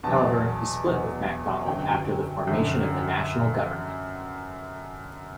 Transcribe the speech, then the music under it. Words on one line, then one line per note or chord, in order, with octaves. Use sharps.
However, he split with MacDonald after the formation of the National Government.
E2 B2 F#3 A5
E2 B2 F#3
F#2 D3 F#3 G5
F#2 D3 F#3